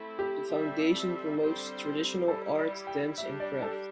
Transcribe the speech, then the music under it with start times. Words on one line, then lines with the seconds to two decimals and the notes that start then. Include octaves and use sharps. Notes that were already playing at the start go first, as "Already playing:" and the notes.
The foundation promotes traditional art, dance and craft.
Already playing: A3 C4 E4
0.19 G4
0.48 G3 C4 A4 E5
1.38 D3 G3 C4 G4 C5
2.27 G3 E4 G4 A4
2.58 D5
2.87 G5
3.18 G3 D4 G4 E5
3.40 D5
3.63 A4